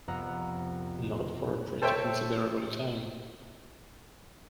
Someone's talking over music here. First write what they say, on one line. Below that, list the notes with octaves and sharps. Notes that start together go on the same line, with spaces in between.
Not for a pretty considerable time.
C2 F2 B3 F#5 A#5 E6
A4 C5 C#5 E5 G5